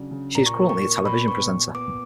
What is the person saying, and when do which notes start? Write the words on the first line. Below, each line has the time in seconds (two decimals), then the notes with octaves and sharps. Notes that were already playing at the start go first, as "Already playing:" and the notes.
She is currently a television presenter.
Already playing: C#3 F#3 D4
0.11 C#3
0.35 A#2 A#5
0.46 C#6
0.58 A#3
0.69 C#6
0.81 A#3 C#6
1.05 A#2 B5
1.28 B3 C#6
1.52 B3
1.75 B3 D6